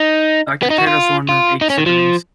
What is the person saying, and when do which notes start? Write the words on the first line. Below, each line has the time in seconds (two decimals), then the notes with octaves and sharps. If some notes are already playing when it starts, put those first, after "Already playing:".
Doctor Taylor was one of eight siblings.
Already playing: D#4
0.63 B3
0.70 D#4
0.78 F#4
0.87 F4
1.29 F4
1.61 D#4
1.70 C#4
1.78 D#3
1.86 F3